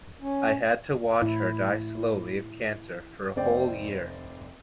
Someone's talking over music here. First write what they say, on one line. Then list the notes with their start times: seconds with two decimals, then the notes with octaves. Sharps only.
I had to watch her die slowly of cancer for a whole year.
0.21 C#4
1.22 A2 E4
3.36 F1 C4 D5 G5